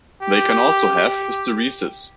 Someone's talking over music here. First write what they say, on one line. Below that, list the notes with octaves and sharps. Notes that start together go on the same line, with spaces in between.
They can also have hysteresis.
G4
G4